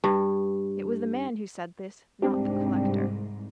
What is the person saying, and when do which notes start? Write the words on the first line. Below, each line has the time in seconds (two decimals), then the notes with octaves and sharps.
It was the man who said this, not the collector.
0.04 G2
2.22 C2 G#2 C4 D4 G4